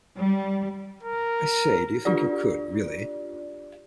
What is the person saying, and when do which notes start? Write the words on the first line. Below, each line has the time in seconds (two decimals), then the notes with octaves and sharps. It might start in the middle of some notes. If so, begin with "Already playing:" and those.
I say, do you think you could, really?
0.18 G3
1.03 A#4
2.05 D4 F4 G4 D5